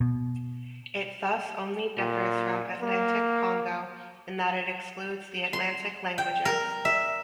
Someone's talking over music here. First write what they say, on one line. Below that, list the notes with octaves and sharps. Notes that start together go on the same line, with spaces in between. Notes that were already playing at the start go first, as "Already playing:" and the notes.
It thus only differs from Atlantic-Congo in that it excludes the Atlantic languages.
B2
A#2
A#3
C6
G5
A#4
E5